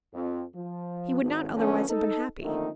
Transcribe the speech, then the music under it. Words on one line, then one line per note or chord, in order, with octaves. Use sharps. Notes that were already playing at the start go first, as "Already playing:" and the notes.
He would not otherwise have been happy.
F2
F3
G#1
D3 F3 A3 B3 C#4
D#4 A4
F2 D3 D#3 A3 A#3 D#4